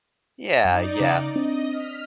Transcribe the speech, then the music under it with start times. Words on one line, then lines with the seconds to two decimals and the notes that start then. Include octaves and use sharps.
yeah, yeah.
0.65 F#2 D#4 D5
1.00 C#3 F5
1.36 C4 D4 D#5
1.69 F6 B6